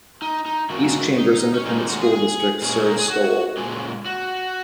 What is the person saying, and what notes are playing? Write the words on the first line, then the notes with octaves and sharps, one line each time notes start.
East Chambers Independent School District serves Stowell.
D#4
D#4
D#3 F#3 A#3 C#4 F#4
D#4
C#4
D#3 G#3 C#4 D#4
D#4
F#4
G#4
G#4
A#2 G#3 C#4 G#4
C#5
A#4
G#4
F#4
A#2 G#3 C#4 G#4
F#4